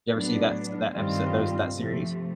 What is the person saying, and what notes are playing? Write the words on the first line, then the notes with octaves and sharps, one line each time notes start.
You ever see that s that episode those that series?
A2 F#3 B3 D4
G2 D#3 G3 C4 F4
C3 F3 A3